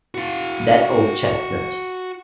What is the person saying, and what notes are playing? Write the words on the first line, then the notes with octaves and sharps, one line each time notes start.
That old chestnut.
F#4 F5